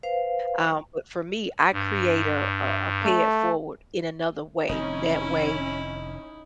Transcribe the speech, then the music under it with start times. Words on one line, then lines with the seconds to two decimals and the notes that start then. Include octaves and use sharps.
um, but for me, I create a a a pay-it-forward, in another way. That way,
0.03 B4 C5 F5
1.73 G2
3.04 A3
4.69 F1 D#3 C4 C#4 D#4 E4